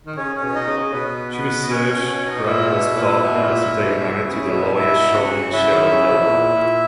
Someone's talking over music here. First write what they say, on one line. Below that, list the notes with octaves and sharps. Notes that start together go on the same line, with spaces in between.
She was Serge Bramly's partner and is today married to the lawyer Jean-Michel Darrois.
D#3
C#3 C#4 C#5
C#4 C#5
B2
C#5
D#4 D#5
C#3
B2 B3 B4
B3 B4
D#5
C#4 C#5
C#4 C#5
C#4 C#5
D#4 D#5
A#2 E4 E5
B2
A#2
B2
A#2
A#2
B2
B2
C#3
B2
B2 E4 E5
B2
C#3 F#4 F#5
C#3 E4 E5
D#3
C#3
B2
A#2
A#2